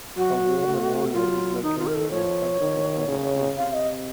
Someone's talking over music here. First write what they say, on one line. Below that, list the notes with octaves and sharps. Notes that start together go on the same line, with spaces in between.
A war memorial is located on the front of the former school.
F#3 F#4
A3
F#3 F4
D#3 D#4
F4
A#4
A4
F3 C#5
D#3
C#3
C3 F5
D#5